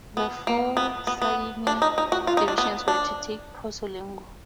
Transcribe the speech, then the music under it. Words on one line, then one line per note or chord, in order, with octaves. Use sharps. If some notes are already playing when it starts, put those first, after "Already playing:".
The four Sardinian divisions were to take Pozzolengo.
B3
A#3
B3
B3
B3
D4
D#4
D#4
F#4
F4
D#4
D4
B3
D4